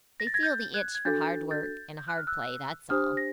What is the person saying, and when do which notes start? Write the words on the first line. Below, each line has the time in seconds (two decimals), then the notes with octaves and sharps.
They feel the itch for hard work and hard play, that's all.
0.20 A#6
0.27 A6
0.34 G#6 A#6
0.43 G6 A6
0.74 F#6 G#6
0.95 G#6
1.05 D4 F#4 A4 G6 A6
1.51 G6 A6
1.98 G6
2.08 F#6
2.18 F6
2.27 E6 F#6
2.90 D4 G4 C5 D#6 F6
3.17 A#6